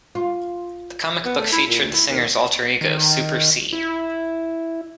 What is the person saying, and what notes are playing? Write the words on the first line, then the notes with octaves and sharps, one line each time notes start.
The comic book featured the singer's alter ego, "Super C".
F4
B3
A3
E4
A#2
D2
E4
D#2
D#3
E4